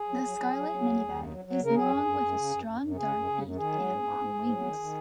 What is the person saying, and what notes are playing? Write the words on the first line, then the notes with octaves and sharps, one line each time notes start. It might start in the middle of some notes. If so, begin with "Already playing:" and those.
The scarlet minivet is long with a strong dark beak and long wings.
Already playing: G#4
F#3
F#3
F#3
F#3
F#3
D#2
D#2
F#2
F#3
F#3
C#3
A#4
F#3 G#4
F#2
F#2
F#2
C#3
F#2
F#2
F#2
C#3 G#4
F#2
C#3
F#2
D#3 G#4
F#3
G#2
G#2
G#2
G#2
F#3
D#3
D#3